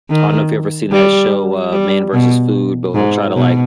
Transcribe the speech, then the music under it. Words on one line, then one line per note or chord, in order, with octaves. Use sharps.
I don't know if you've ever seen that show, uh, Man v. Food, but we'll try to, like,
D#3
G3
G3
B2
G#2
B2